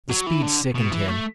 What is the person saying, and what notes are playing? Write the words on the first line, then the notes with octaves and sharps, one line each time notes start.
The speed sickened him.
F#3
E3
D3
B2
E3
A3